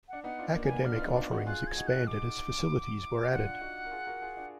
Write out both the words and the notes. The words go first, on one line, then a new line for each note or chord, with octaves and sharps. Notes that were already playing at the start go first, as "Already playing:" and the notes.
Academic offerings expanded as facilities were added.
D4 F#5
B3 D#4 F#5
D4 F4
A#3 D4
G#5
B3
A#3 D4 F6
F4
B3 D#4
D4 F4
D#4 F#4
F4 G#4 F#6
G#6
D#4 F#4
F#6
D6
D4 F4 F#5
D#4 F#4
A#4
F4 G#4
F#4 A#4
F4 G#4
D4 F4